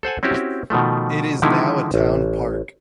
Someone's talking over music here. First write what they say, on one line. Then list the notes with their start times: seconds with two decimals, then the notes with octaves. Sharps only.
It is now a town park.
0.03 A4 C5 F#5 G#5
0.23 C4 C#4 E4 F#4 G4
0.70 B2 D#3 F3 A3
1.42 D3 D#3 F3 G#3 D#4 E4
1.94 A1